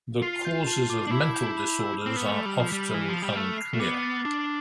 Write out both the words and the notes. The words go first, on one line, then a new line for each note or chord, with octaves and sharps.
The causes of mental disorders are often unclear.
F4 C7
G6
A5
D6
D4
E4 B5
G6
B5
E6
C4 F6
B3
F7
A3
G3 F6
F3
G3 B6
E3 F6
F3
F7
G3
A3 F6
C7
A3
B3 D6
A6
D4 D6